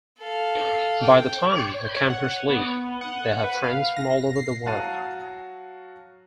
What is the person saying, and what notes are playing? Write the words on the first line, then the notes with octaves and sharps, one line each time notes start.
By the time the campers leave, they have friends from all over the world.
A4 F5
G5
C#5
F#5
B3
F#5
B4
F5
A#6
C7
F#3 F#4 F5 A5 A6 D#7